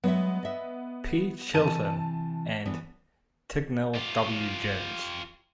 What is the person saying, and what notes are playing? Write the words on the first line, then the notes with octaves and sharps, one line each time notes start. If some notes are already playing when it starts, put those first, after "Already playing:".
P. Chilton, and Tignall W. Jones.
F#3 G#3 B3 E5
D#5 E5
C3 E3 A5 D#7
E3 B3 D4
F4 G4